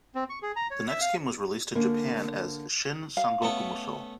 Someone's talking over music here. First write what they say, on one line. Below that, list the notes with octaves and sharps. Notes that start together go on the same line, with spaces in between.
The next game was released in Japan as "Shin Sangokumusou".
C4
C#6
G#4
A#5
C#5
E5
F5
D3 A#3 C#4
F5
A3 B3 C#4